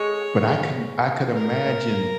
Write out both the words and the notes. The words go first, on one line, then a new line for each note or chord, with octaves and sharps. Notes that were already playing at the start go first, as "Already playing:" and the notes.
but I can I could imagine
Already playing: G#3 C#5
A#4